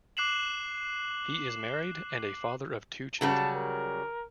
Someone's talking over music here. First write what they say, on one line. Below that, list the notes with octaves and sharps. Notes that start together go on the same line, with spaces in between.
He is married and a father of two children.
D6 F#6 C7 E7 F#7
C#3 F#3 G3 A5
A#4